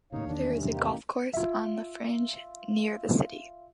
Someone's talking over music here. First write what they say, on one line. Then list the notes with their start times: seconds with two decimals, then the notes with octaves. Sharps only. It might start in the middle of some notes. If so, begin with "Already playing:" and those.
There is a golf course on the fringe near the city.
0.12 D#2 A2 C#3 D#4 C#5 F5
0.26 E2 D#3 D4
0.39 A3 C#4
0.56 G2 C3
0.70 A#3 D#4 G4
0.82 A1
1.33 F4 E5